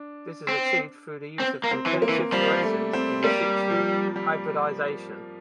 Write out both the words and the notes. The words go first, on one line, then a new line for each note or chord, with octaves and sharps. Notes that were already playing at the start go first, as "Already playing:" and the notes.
This is achieved through the use of competitive fluorescence in situ hybridization.
Already playing: D4
C4
C4
A#3
C4
E3
A#3
E3
F3 G3
A3
C4
G3 A#3
F3
G3